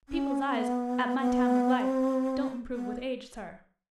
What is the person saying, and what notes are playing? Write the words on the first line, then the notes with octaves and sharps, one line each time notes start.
'People's eyes, at my time of life, don't improve with age, sir.'
C#4
B3
B3
C4
B3